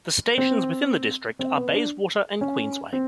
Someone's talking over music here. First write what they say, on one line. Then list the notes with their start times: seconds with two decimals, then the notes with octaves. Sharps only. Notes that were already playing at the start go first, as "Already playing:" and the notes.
The stations within the district are Bayswater and Queensway.
0.38 C4
1.39 C4
1.56 B3
1.73 D4
2.41 C#4
2.93 C4